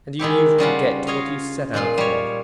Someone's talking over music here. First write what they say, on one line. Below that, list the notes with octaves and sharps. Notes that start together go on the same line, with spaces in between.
And you usually get what you set out for.
D#3 G#3 E4 G4
C#3 G3 F4 F#5
F4 C#5 D#5 F5
A#2 G#3 F4 C6
G3 C#5